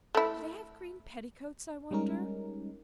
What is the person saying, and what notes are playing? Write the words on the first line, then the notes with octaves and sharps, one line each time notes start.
Do they have green petticoats, I wonder?
A3 E4
G3 G#3 C#4 D#4 A#4